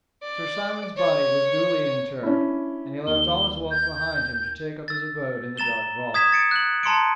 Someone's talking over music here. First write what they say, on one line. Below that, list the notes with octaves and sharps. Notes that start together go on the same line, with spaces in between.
Sir Simon's body was duly interred, and he left all his wealth behind him to take up his abode in the dark vault.
D5
C#5
C#4 D4 E4
D#2 G7
G6
E6 A6
A#5 A6 E7 G7
D#6 G#6 B6 E7
A6 C#7 D7
F#6 F#7
A5 A#5 C6 C#7 D7